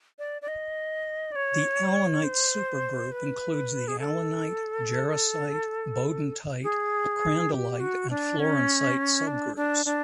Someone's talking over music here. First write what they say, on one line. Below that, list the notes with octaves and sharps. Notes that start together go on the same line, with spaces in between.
The alunite supergroup includes the alunite, jarosite, beudantite, crandallite and florencite subgroups.
D5
D5
D#5
D5
C#5
C5
B4
G#4
A4
G#4
G4
F#4
D4
C#4
D4
D4
D4